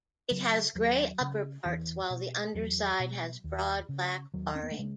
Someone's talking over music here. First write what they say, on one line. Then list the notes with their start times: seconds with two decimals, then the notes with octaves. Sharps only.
It has grey upperparts while the underside has broad black barring.
0.31 C#3 F#3
0.75 D#2 F#3
1.21 C#3
1.65 E2 E3
2.10 B2
2.55 E2 F#3
3.00 B2
3.44 D#2
3.89 C#3
4.34 D#2 F#3
4.56 C#4
4.63 B3
4.71 A3
4.79 C#3 G#3